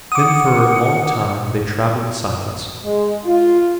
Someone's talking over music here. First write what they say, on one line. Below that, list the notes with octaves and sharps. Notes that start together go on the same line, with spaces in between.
Then for a long time they traveled in silence.
F#5 D6 D#6
G#3
F4